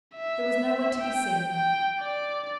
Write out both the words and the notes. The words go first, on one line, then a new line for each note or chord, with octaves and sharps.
There was no one to be seen.
E5
G5
G5
D5